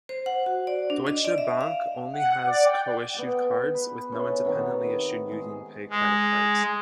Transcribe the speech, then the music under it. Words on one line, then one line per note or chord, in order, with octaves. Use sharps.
Deutsche Bank only has co-issued cards, with no independently issued UnionPay credit cards.
C5
F#5
F#4
D5
D4
D#5
D5
E5
F5
F#5
D5
G5
B3 G#4 F#5
B4
C#4 E4 A4
C3 D#3 B3
G#3 G#4
G#3